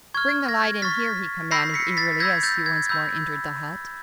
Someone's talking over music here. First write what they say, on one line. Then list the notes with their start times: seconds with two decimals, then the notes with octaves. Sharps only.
"Bring the light in here!" he commanded eagerly, as he once more entered the hut.
0.14 C#6 F6 G#6
0.48 G#6 A#6
0.82 C#6 F6 A6 B6
1.51 B5 E6 G6 A#6 C7
1.74 B6 C#7
1.97 A6 B6
2.20 B5 E6 G6 G#6 A#6
2.43 G6 A6
2.66 G#6
2.89 B5 E6 G6